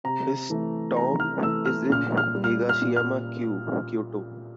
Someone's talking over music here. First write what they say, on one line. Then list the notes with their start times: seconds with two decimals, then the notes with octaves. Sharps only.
His tomb is in Higashiyama-ku, Kyoto.
0.04 C3 A#5
0.50 E3 A3
0.97 C3 A#5
1.20 F6
1.42 E3 A3 E6
1.66 F6
1.90 A#2 F6
2.17 F6
2.35 G3
2.44 F6
2.69 F6
2.82 A#2
2.96 F6